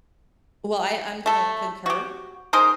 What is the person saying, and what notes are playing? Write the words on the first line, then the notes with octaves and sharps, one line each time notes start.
Well, I I'm gonna concur.
A3 A4
F#4 G4
G#3 D#4 A#4 C5